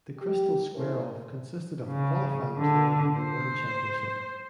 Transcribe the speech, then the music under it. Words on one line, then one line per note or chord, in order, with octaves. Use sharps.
The Krystal Square Off consisted of a qualifying tour and a world championship.
G4
F3 A3 C#4 E4 A#4 C5
C#3
D3
C5